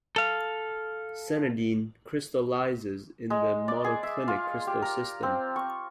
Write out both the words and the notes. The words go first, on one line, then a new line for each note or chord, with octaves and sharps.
Sanidine crystallizes in the monoclinic crystal system.
A4 F5
G#3
D5
G#4
E5
F4
G4
A#4
C4
C#6